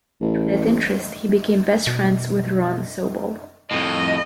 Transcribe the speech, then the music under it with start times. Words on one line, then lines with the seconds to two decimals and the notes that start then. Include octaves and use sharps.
Through that interest, he became best friends with Ron Sobol.
0.21 A1
1.87 B2
3.71 F2 A2 D#5